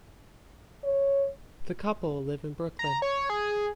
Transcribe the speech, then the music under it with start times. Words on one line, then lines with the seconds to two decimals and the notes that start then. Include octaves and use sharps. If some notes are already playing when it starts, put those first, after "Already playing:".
The couple live in Brooklyn.
0.84 C#5
2.79 A#5
3.02 C#5
3.30 G#4